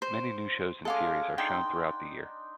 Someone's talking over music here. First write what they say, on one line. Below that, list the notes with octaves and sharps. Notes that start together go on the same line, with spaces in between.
Many new shows and series are shown throughout the year.
C5
G#3 C#4 A4 F5 D6
D4 D#4 G5 C6